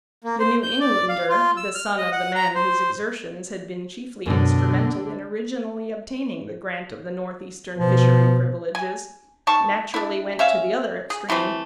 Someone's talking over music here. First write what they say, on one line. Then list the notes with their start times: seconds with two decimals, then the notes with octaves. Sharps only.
The New Englander--the son of the man whose exertions had been chiefly instrumental in originally obtaining the grant of the Northeastern fishery privileges--naturally went to the other extreme.
0.24 A#3
0.39 C5
0.63 G6
0.80 D5
1.09 F5
1.29 F4
1.57 E6
1.75 F6
1.98 D#5
2.12 F#5
2.35 A#5
2.55 C5
4.26 F#2 B2 D3
7.78 B2 F3
8.75 G#5
9.47 D#3 A5 C#6
9.94 D4 E4
10.39 C#4 E5 F5
11.10 G#4
11.29 C3 E3 A3 C4